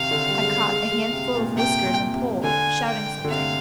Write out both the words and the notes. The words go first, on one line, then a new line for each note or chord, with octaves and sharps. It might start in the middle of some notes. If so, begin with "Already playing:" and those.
I caught a handful of whiskers and pulled, shouting something.
Already playing: C3 D#3 F5
D3
G3
G#3
G#3
G#3
C3
A#2
C3 G5
A#2
C3
D3 G#5
G5
D3
C3 F5